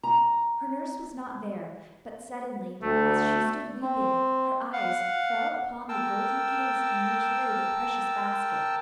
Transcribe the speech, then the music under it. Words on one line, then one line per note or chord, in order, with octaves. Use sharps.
Her nurse was not there, but suddenly, as she stood weeping, her eyes fell upon the golden case in which lay the precious basket.
A#5
D2 A3
C4
F5 F#5
A#4 G5 A5 E6